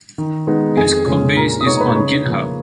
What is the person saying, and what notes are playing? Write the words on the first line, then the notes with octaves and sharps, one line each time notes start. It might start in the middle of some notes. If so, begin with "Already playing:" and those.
Its codebase is on GitHub.
D#3
G#3 B3 D#4
F2 G#4 G#5
C#3 G#3 C#4
A#2 A#4 A#5
D#6
G#3 B3 D#4 C#5 C#6
A#5
B4 B5
C#3 C#5 C#6
F3 A#3